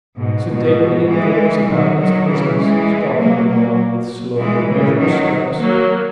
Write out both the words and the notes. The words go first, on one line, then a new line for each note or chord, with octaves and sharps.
Sedately it goes about its business, stalking along with slow, measured steps.
G#2 B2
G#2 B2
E3 G#3
D#3 F#3
D#3 F#3
C#3 E3
E3 G#3
F#3 A#3
F#3 A#3
E3 G#3
C#3 E3
D#3 F#3
F#3 A#3